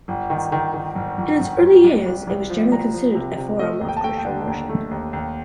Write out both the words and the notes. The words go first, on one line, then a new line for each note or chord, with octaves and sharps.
In its early years it was generally considered a forum of Christian worship.
G1
D#3
D#3
D#3
G1
G1
G1
G1
C2
C2
C2
F3
C2 A#5
F3
C3
C3
A3 D#5
D#2
G5
A5
A3 G5
G5
D3
D#2
A3
D#2
D#2